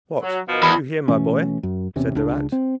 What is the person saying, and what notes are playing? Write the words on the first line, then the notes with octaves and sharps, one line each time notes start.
"What! you here, my boy?" said the rat.
F#3
B2 D#3 F3
E2 B5
B2 E3 A3 C#4
F#2
E1 E2 C3 C#4
C#2 D4
C4